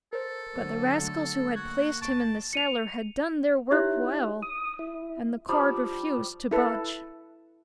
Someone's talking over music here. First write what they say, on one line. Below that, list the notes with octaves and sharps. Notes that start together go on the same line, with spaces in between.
But the rascals who had placed him in the cellar had done their work well, and the cord refused to budge.
A4 A#4 C5
D3 F#3
A3
A#3 F#4 G#6
G1 A5 C#6 D7
C#7 D#7 F7
D#4 E4 G4 C#5 E5 F#6
D#6
E4
F3 G3 D4
E4 A4 B4